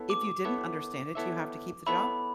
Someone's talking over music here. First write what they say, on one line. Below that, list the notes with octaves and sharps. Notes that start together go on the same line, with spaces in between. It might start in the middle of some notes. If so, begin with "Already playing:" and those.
if you didn't understand it, do you have to keep the job?
Already playing: B3 E4 A4 C#5 E5
D6
B3 E4 A4 C#5 E5
B3 E4 A4 C#5 E5
B3 E4 A4 C#5 E5 B5